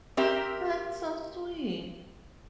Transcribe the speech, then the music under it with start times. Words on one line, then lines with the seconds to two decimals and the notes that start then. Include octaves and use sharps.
That's so sweet.
0.17 C4 G4 A#4 E5